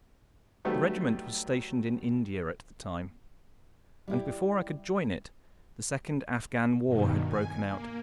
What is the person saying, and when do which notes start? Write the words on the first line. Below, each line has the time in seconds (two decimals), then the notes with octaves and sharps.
The regiment was stationed in India at the time, and before I could join it, the second Afghan war had broken out.
0.65 D#3 F#3 G3 A3 B3
4.08 G3 E4 G4
6.86 G2 B2 D#3
7.26 G#5
7.68 A#3